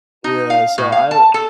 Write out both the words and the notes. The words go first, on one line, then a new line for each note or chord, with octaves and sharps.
yeah, so, I, w
D#4
F5
A2
F5
A5
A4